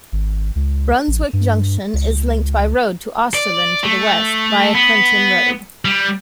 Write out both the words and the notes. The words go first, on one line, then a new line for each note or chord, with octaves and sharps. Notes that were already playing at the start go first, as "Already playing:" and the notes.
Brunswick Junction is linked by road to Australind to the west via Clifton Road.
G#1
C#2
A1
G2
C#2
D5
A3
B3
G3